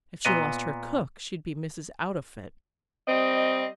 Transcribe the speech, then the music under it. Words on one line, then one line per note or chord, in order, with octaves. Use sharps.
If she lost her cook she'd be Mrs. Outofit.
A#2 B3 D#5
G3 C4 D#5